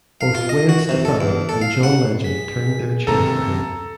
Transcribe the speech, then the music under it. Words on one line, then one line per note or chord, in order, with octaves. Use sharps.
Both Gwen Stefani and John Legend turned their chair for him.
F5
F4
D#5
F#4
C3
A4
E2
A4
F5
F#5
G#4 B6
D#2 C3 A4 A#5